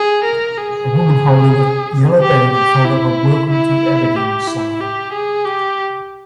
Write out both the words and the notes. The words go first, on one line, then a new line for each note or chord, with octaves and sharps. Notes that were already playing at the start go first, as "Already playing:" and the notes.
A woman holding a yellow bag in front of a Welcome to Aberdeen sign.
Already playing: G#4
A#4
G#4
G4
G4
E4
E4
G4
E4
G4
G#4
G4